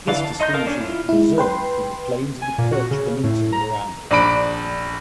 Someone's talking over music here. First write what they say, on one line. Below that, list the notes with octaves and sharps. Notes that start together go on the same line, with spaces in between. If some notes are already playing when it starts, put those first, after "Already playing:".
This distinguishes the reserve from the plains of the Kerch Peninsula around it.
D3 E3 D5 F5
A5
D#4 D#5 C6 G6
A4 A#4 F5 A5
C#4 D4
E4 F4
G#3 E4
B4 G5 C6
G#5
A#2
F#4
C#3
A2
A#5
A#1 D4 B5 D7